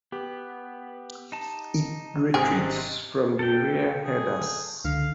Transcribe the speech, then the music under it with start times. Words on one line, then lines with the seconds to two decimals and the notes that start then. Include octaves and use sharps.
It retreats from the rear headers.
0.12 B3 G4
1.32 D#4 A5
2.34 G#1 C3 G#4 D#5 G5 F6
3.39 A4 G5
4.05 G#4
4.85 C#2 D3 F5